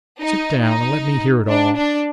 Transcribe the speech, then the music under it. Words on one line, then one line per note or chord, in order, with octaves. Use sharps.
Sit down, and let me hear it all.
D#4
D#4
D4
D4